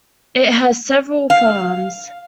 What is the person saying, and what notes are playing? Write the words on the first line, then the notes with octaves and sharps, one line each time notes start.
It has several farms.
F5